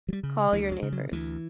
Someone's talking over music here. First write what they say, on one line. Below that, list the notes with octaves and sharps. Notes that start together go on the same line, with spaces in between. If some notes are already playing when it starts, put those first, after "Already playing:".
Call your neighbors!
F#3
G3
C#3
D2 E3
F#3
C#3
F#3
D2 E3